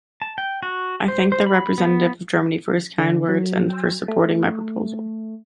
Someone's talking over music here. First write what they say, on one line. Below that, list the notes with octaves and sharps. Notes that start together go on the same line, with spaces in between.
I thank the representative of Germany for his kind words and for supporting my proposal.
A5
G5
F#4
C5
C5
B5
B3
D3
F#3
A3